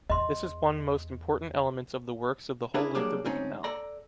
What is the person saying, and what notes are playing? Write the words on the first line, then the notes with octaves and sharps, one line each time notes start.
This is one most important elements of the works of the whole length of the canal.
E2 D#5 C6
D4 E4 G#4 A#4 B4
F#3 G3 A#3 D4 G4 G#4
D2 G#2 C4 C#4 D#4
A4 D5 A#5